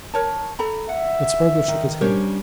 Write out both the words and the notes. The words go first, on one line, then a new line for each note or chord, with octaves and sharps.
But Spargo shook his head.
A#4 C#5 A5
A4 A#5 B5
E5 F#5
D#3
G3 C#4 D4 A#4 C5 C#5